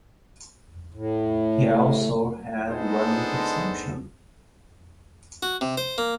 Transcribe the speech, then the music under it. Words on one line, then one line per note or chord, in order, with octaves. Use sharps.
He also had one interception.
A2
G#3 B3 D4 D#4 A4 C5
F#4
C3
C5
A#3